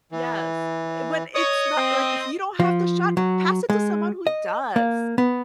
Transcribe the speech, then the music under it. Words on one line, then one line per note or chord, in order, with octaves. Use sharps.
Yes. Wh when it's not, like, "If you don't have the shot, pass it to someone who does."
E3
C#5 D#5 D#6
C4
F3
F#3
G#3
D#5
A#3
B3